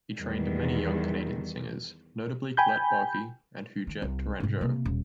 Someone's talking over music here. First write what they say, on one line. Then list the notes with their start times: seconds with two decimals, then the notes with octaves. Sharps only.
He trained many young Canadian singers, notably Colette Boky and Huguette Tourangeau.
0.15 E2 D#3 G3
2.57 G5 G#5 B5 G6
3.87 D#3
4.02 C2
4.40 G#2 C3
4.61 C3 A#3
4.85 D#1